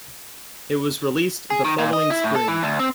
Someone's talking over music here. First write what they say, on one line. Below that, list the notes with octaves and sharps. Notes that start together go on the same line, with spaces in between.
It was released the following spring.
G#4
D#3
A#2
D#5
E4
A2
A4
E3
D2
C4